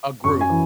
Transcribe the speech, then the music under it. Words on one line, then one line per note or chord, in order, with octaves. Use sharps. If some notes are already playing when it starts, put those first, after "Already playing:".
A group,
F#2 C#6
G#5
E3